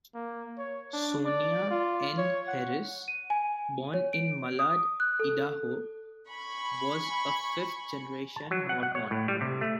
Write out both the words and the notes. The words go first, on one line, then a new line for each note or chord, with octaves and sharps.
Sonia Ann Harris, born in Malad, Idaho, was a fifth-generation Mormon.
A#3
C#5
D4
D5
F4
C#5
F#5
D#7
G#5
C#5
D7
D#6
F#6
A4
G#5 B5 C#6
A5
F#3
F#5
F#5
C#5
A2
G3
C3
A3